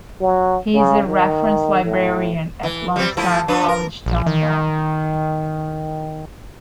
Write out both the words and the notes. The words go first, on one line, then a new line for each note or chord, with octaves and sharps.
He is a reference librarian at Lone Star College-Tomball.
F#3
C#3
D#3
A2
E3
G3 C4
F3 A3 E4
F3 D4 B4
A#4
A#1
D#3